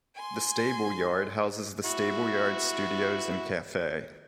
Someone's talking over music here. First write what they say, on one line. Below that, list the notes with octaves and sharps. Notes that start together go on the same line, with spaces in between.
The stableyard houses the Stableyard Studios and cafe.
G#5 C6
E4 F#4